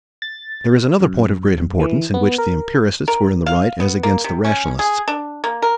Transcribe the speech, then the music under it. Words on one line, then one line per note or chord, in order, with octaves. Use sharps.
There is another point of great importance, in which the empiricists were in the right as against the rationalists.
A6
F#2
E3
B3
A#4
A#4
F5
B3
A#3
C3
C#4
G#4
D4
A#3
A#4